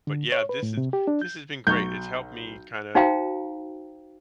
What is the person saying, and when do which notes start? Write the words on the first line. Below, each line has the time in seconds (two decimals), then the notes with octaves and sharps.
but yeah, this has this has been great. It's helped me kinda,
0.07 D3
0.32 C#5
0.49 B4
0.63 A2
0.77 C3
0.93 G4
1.07 D4
1.22 G6
1.67 B1 C#6 G6
2.95 D#4 F#4 C5 F5 G5 A#5